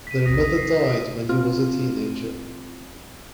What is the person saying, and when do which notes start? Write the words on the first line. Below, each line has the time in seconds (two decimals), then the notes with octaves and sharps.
Their mother died when he was a teenager.
0.07 B6 D#7
0.26 A#1 E2 D#6 A#6
0.57 C7
1.29 C4 F4